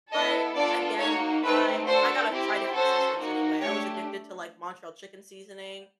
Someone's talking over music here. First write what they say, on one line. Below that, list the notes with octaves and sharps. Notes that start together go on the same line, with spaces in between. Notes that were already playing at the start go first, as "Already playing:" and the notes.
but again, I I gotta try different seasonings anyway. I was addicted to, like, Montreal chicken seasoning,
B3 E4 A4 D#5
B3 D4 F4 A4 D5
A#3 D#4 F#4 C#5
A3 C4 D#4 B4
D4 F#4 A4 C5
C4 E4 G4
C#4 F#4 A4 C5
A#3 D#4 F#4
A3 D4 G4 C#5